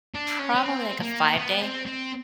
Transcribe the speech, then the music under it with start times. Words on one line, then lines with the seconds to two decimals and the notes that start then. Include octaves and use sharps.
Probably, like, a five-day.
0.15 D4
0.39 C#4
0.55 C#4
0.64 C4
1.00 A#3
1.37 B3
1.62 C4
1.86 C4